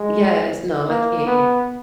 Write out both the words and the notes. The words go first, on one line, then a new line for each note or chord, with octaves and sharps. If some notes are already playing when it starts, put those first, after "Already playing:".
Yes, no, I can't.
Already playing: G#3
A#3
B3